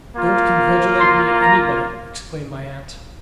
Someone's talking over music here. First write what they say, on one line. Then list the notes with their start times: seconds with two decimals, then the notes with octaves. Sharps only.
'Don't congratulate me, anybody!' exclaimed my aunt.
0.15 A#3 F4
0.99 C6
1.41 A#5